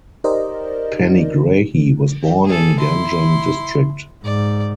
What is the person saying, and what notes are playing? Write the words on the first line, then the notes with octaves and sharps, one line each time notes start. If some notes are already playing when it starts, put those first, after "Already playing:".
Panigrahi was born in Ganjam District.
D#4 G4 A#4 C5 D5 D#5
G#4 A4
E4 C6
G#2 D5